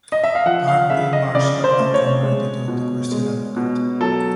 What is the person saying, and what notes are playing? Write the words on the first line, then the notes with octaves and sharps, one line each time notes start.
R. P. Marshall, a former editor of the Christian Advocate.
D#5
E5
F5
F3 F#5
F5
C#3 E5
D#5
C#3 D5
C5
A3
C#5
G#3
B2
G#3
B2
F#3 A4